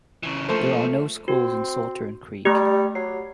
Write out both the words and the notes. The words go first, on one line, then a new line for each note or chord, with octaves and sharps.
There are no schools in Saltern Creek.
C#3 E3
F3 A3 A#3 C5
C4 F#4
G3 A3 G4
F#3 C7